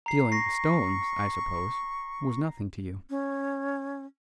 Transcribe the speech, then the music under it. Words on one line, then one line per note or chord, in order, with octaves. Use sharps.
Stealing the stones, I suppose, was nothing to you.
A#5 C7
C#6 A#6 C7
C#4